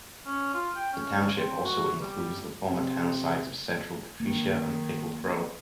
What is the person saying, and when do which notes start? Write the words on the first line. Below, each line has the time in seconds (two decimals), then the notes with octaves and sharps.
The township also includes the former townsites of Central Patricia and Pickle Crow.
0.26 C#4
0.54 F4
0.76 G5
0.93 C#4
1.35 C4
1.65 F#4
2.01 G3
2.69 C3
4.20 D#3 A#3